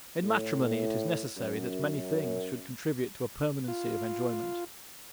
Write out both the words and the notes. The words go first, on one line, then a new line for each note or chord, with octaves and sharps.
In matrimony it is necessary that many things should contribute to a permanency of enjoyment.
A2
F#2
F4